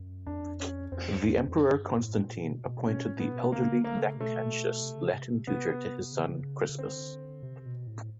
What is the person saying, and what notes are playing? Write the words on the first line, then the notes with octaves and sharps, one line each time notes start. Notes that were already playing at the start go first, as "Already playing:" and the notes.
The Emperor Constantine appointed the elderly Lactantius Latin tutor to his son Crispus.
Already playing: F#2
F2 D4
C#4
F2 C4
E2
F2
F2
F#2
G2
G#2
A2
A#2
B2
B2
B2 C#4
A2
B3
B2
C#3 A#3
D3
A#3
C#3 A3
B2 A3
C3
C#3
C3
C3 B3
C#3
C#3
D3 C4
C3
B2
A2